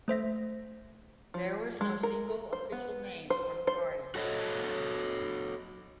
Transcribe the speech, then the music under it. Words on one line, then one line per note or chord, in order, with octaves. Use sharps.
There was no single, official name for the party.
A3 C5 E5 A#6
F3
G#3
A#4
C5
B3
C5
C5
F#4 A4 C#5 D#5